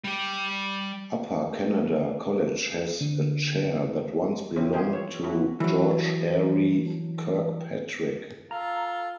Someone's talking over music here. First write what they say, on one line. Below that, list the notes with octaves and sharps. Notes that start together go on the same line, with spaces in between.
Upper Canada College has a chair that once belonged to George Airey Kirkpatrick.
G3 G4
D3
C#3 F3 F#3 C4 C#4 E4
E3 F3 G4 G#4 C5
C#5
F3 F#3 C#4 E4 F#4
E3 F#3
F4 A4 A#5